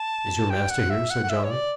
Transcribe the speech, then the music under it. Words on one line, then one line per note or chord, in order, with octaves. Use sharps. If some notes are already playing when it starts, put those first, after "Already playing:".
'Is your master here?' said John.
Already playing: A5
G5
F#5
E5
F#5
F#5
E5
C#5
D5